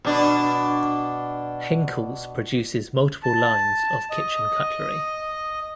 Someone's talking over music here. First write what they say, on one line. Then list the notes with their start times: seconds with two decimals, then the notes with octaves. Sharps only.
Henckels produces multiple lines of kitchen cutlery.
0.05 B2 D4
3.23 A5
4.10 D#5